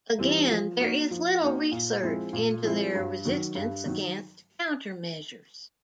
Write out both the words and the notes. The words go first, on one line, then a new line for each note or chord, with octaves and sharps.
Again, there is little research into their resistance against countermeasures.
E3 G3 C4
F3
A#3 D#4 F#4
F3
A#3 D#4 F#4
A#2
F3 G#3 C4 E4
A#2
F3 G#3 C4 E4
G2
D#3 F#3
G2
D#3 F#3